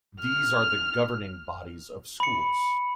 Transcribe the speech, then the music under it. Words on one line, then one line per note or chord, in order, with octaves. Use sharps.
These are the governing bodies of schools.
F6
B5 C#7